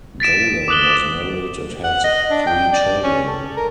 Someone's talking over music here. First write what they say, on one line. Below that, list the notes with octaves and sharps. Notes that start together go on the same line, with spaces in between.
Golan was married and had three children.
A6 B6 D7 E7
D6 D#6 F#6 F#7 G7
F#5
D#5
D4
G5
D5
C#4
A4
A#4